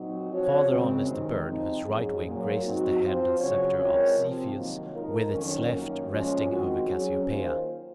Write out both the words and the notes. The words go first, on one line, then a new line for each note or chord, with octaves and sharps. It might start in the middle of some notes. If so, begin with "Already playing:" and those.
Farther on is the Bird, whose right wing grazes the head and sceptre of Cepheus, with its left resting over Cassiopea.
Already playing: A#2 F#3 C4 D#4 F#4
F3 C4 F#4 C#5
F#2 C#3 G#3 C4
C3 D#3 G#3
F3 C4 D#4
G#2 F#3 C#4 G#4
A#2 F#3 A#3
G#2 F#3 C4 D#4 F#4
F3 C4 F4 C5
C#3 F#3 C#4 F#4 C#5
G#3 C4 F4 A#4 C#5
C3 F3 C4
D#3 F#3 A#3 F4
F3 G#3 D#4 A#4
F2 D#3 F#3 C#4
F#2 D#3 F#3 A#3
A#2 F3 G#3 C#4
D#3 G#3 C4 F#4
F#3 C#4 G#4
D#3 A#3 F4 C5